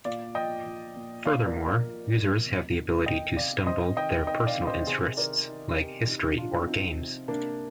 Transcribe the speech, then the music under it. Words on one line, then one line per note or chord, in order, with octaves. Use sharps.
Furthermore, users have the ability to stumble their personal interests like "History" or "Games".
A#2 D5 F5
F3 D#5 G5
F3
A#2
A#2 D5 F5
A#4 D5
F3
A#4 D5
F3
A#2
C3
D#3
D#3 D#5 G5
C3 D5 F5
C3 C5 D#5
D#3 D#5 G5
D#3 D#5 G5
D5 F5
C3
C5 D#5
C3 G#4 C5
D#3 A#4 D5
D#3
C3 G4 A#4
C3 D#4 G4
F3 D4 F4
F3 C4 D#4
C3
C3 A#3 D4